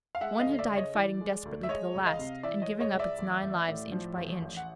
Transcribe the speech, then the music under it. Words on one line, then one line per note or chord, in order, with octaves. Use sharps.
One had died fighting desperately to the last, and giving up its nine lives inch by inch.
F5
G#3 E5 F#5
D#5 F5
D2
D5 E5
C#3
C#5 D#5
E3 D5
G#3
D2
E5
G#3 C#5 D#5
C#2
D#5 F5
C3
E3 D5 E5
C#5 D#5
G#3
C#5 D#5
C#2
D5 E5
A1
A1
A2
F3
A1
A1
F#5